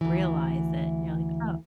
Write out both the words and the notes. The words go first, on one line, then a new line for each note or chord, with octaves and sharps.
realize it, you know, like, "Oh"
D2 E3